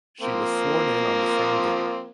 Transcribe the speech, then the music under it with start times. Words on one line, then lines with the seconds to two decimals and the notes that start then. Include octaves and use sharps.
She was sworn in on the same day.
0.21 F3 A#3 C4